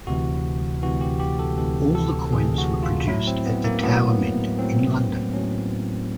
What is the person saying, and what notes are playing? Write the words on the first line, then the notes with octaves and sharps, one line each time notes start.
All the coins were produced at the Tower Mint in London.
D2 C3 E3 F#4
D2 C3 E3 F#4
G4
G4
A4
D2 C3 E3 A4
A4
D2 C3 E3 G#4
F#4
F4
A2 F#3 E4
C4
B3
A#3
A2 F#3 B3
A2 F#3 C4
A2 F#3 C#4